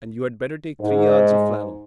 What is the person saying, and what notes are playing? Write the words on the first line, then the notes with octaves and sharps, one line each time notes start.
And you had better take three yards of flannel.
G#2